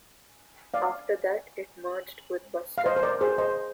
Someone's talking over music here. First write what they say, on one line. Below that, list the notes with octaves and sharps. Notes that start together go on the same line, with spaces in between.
After that it merged with Buster.
D5 F5
F5
C5 D#5
C5
A#4 D5
G#4 C5
C5 D#5